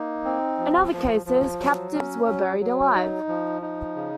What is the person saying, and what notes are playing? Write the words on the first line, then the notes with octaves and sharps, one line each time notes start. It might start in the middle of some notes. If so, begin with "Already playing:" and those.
In other cases, captives were buried alive.
Already playing: A#3 D#4
C4
F3
F3
F3
F#3
C#4
F#3
F#3
D#4
F3
D#4
C#3